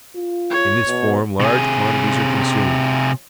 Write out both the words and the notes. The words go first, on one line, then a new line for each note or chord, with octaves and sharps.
In this form large quantities are consumed.
F4
C#5
B2
C3 G#4